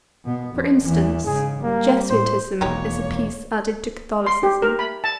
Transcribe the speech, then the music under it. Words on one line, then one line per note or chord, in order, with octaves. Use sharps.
For instance, Jesuitism is a piece added to Catholicism.
B2 B3
F2
E2 E3
G#2 C#3 G#4
G3 A#3
A2 C5
E1 F2 G#3 A#3 D#4 G4 C#5
C6
G4
A#4
B5
A5